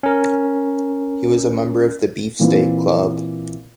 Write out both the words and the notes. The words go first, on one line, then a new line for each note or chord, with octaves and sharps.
He was a member of the Beefsteak Club.
C#4 A#4
A#2 E3 C4